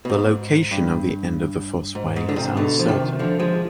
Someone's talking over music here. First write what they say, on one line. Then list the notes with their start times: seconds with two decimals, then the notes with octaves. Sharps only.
The location of the end of the Fosse Way is uncertai.
0.05 B2
0.10 G#2
0.71 G2
1.95 G#2
2.16 G#2
2.29 D3
2.36 G#2 C3
2.57 B2 D3
2.79 F3
2.88 C3 D#3
3.19 D3 F3
3.39 F3 G#3